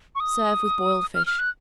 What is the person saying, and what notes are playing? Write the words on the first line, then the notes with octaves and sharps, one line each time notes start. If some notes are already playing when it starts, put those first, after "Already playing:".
Serve with boiled fish.
C#6
D#6
F6
F6
F#6